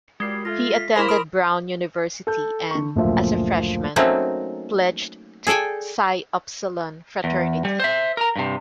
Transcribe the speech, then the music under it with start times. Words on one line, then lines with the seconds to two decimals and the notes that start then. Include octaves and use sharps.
He attended Brown University and, as a freshman, pledged to Psi Upsilon fraternity.
0.20 F#2 A#2 G3 G#3 C7
0.45 A3 F4 A#6
0.76 B6
0.96 A#3 E4 A#4 C5 B5 C6 F6
1.08 A#4 B5 D#6 B6 D7
2.27 A4 G6
2.71 D3 C#6
2.95 F#1 D2 A#2 F3 E5
3.96 F#3 A3 A#3 C4 C#4 D#4
5.47 G#4 A4 D5 G5 G#5
7.24 E2
7.65 G3
7.80 C5 E5
8.17 A#4 A#5
8.36 G2 C3